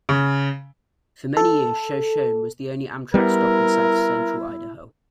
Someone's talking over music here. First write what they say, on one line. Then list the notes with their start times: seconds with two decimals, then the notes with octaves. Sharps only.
For many years, Shoshone was the only Amtrak stop in south central Idaho.
0.09 C#3
1.37 A4
3.14 G3 B3 E4 A#4